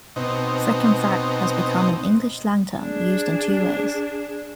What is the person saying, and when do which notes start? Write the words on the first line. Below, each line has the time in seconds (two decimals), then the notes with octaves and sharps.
"Frick and Frack" has become an English slang term used in two ways.
0.16 B2 C4 D#4
2.81 D4 G#4